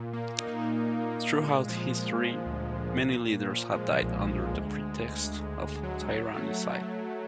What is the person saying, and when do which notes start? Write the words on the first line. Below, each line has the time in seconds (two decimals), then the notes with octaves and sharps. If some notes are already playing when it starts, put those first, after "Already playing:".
Throughout history, many leaders have died under the pretext of tyrannicide.
Already playing: A#2
0.13 A#3
0.39 D#4
0.65 A#2
0.91 D#4
1.17 A#2
1.43 G#3
1.69 F3
1.95 F3
2.20 F3
2.46 D2
2.73 D2
2.98 A#2
3.24 A#2
3.50 F3
3.75 G#3
4.02 B1
4.27 G#3
4.53 D2
4.79 D2
5.05 D2
5.31 D2
5.57 D2
5.83 F#3
6.09 F#3
6.34 A3
6.60 F#3
6.86 A3
7.12 F#3